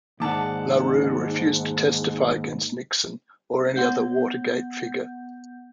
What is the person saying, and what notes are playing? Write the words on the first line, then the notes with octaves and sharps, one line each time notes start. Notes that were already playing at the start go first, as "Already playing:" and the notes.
LaRue refused to testify against Nixon or any other Watergate figure.
D#2 G#2 D#4 D5 F#5 A5 D6
B3 F#5 G6